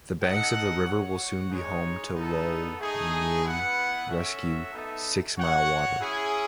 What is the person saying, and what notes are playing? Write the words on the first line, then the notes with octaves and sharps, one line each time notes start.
The banks of the river will soon be home to Lough Neagh Rescue Sixmilewater.
D#4 A4 D#5 F#5
F#4 C#5 F#5
G#3 D#4 G#4 C#5
B3 D#4 A4
A3 D#4 G#4
B3 E4 B4 F#5
C#4 F#4 A4 E5
B3 D#4 A4 E5
F#4 C#5 F#5
C#4 E4 G#4